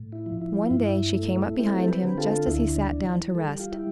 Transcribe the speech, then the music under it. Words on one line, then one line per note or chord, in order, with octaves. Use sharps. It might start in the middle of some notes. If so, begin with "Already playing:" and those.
One day she came up behind him just as he sat down to rest.
Already playing: A2
E4
F3
E4
F4
G2 E4
A3
C4 E4 G4
A4
G4 B4
D3
F4 A4
D2 E4
D4
E3
G3 A4
G4
F4
E4 G4